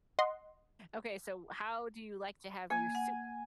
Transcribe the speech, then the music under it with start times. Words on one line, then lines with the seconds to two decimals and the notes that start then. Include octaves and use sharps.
Okay, so how do you like to have your soup,
0.19 D#5 F#5 C6
2.70 A#3 G#5
2.95 F#5